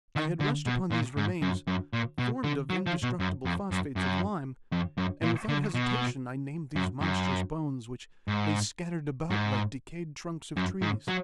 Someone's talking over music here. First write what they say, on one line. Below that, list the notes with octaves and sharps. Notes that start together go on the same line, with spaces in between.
I had rushed upon these remains, formed of indestructible phosphates of lime, and without hesitation I named these monstrous bones, which lay scattered about like decayed trunks of trees.
D#3
D3
B2
A#2
G#2
F#2
F#2
A#2
B2
D3
F#3
F3
B2
F#2
F2
F#2
F#2
F2
F#2
A#2
D3
B2
F#2
F#2
G#2
G#2
F#2
G#2
F#3